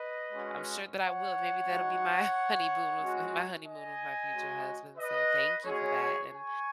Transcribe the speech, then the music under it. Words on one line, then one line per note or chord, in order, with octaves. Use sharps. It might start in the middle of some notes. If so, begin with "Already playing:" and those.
I'm sure that I will, maybe that'll be my, honeymoon with my honeymoon with my future husband, so thank you for that, and
Already playing: B4 D#5
G#3 C#4 F#4
C#5 F#5
G#3 D#4 F#4
G#3 C#4 F#4
D#5 G#5
G#3 C#4 F#4
B4 D#5
G#3 C#4 F#4 G#4 C#5
G#5 C#6